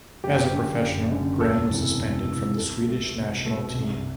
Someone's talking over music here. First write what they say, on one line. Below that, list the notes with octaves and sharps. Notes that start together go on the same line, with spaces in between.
As a professional, Gren was suspended from the Swedish national team.
F#1 G4
F#2 D3
F#1
F#2 D3
E1 A4
E2 C3 E3
E1
E2 C3 E3
C2 A4
B2 A3
C2
B2 A3
C2